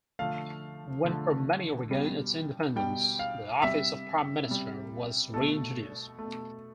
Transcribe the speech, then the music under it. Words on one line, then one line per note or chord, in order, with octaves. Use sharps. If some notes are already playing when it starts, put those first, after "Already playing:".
When Armenia regained its independence, the office of Prime Minister was reintroduced.
D3 F3 A3 F5
D3 F3 A3
B2 G3
B2 G3 G5
F5
C3 G3 E5
C3 G3
B2 A3 A4
B2 A3